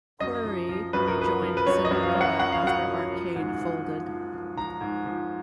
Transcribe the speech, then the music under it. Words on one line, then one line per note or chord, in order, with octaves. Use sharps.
Coury re-joined Cinderella after Arcade folded.
F#2 D#5
F3
F3
F#2 B4
A#4
F3 B4
F3
B4
F#2 C#5
D#5
F#2
F5
F#2
F#5
F3 F#5
F5
F#2 F#5
F3
F3
G#2
F3
F3
F3
F3
F3 A#5
G#2
F3